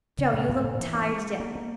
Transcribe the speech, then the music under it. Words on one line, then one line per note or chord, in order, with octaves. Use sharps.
Jo, you look tired to death.
C#3
A#2
G#2
A#2
E3
B3
A#3
G#3
A#3
A#3